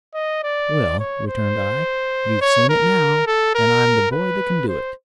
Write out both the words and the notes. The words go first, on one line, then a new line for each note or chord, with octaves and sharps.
"Well," returned I, "you've seen it now, and I'm the boy that can do it."
D#5
D5
C#5
C5
C#5
A#4
A4
A#4
B4
C5